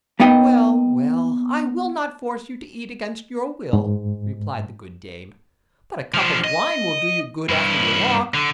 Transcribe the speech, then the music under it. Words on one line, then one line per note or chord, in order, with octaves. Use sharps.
"Well, well, I will not force you to eat against your will," replied the good dame "But a cup of wine will do you good after your walk."
A#3 B3 D#4 D#5 G5
G#2
F3 D4
D#5
G2 E4
D3